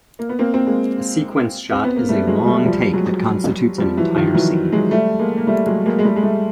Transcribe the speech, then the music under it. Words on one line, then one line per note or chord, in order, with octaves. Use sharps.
A sequence shot is a long take that constitutes an entire scene.
A#3
B3
A#3 C4
A#3 C4
G#3 A#3
C4
B3
A#3
G3 A3
F#3 G#3
G3 A3
F3 G3
F#3 G#3
F3 G3
E3 F#3
D#3 F3
E3 F#3
F#3 G#3
G3 A3
G#3 A#3
A#3
G3 A3
F#3 G#3
G#3 A#3
G#3
G3 A3
G#3
G3 A3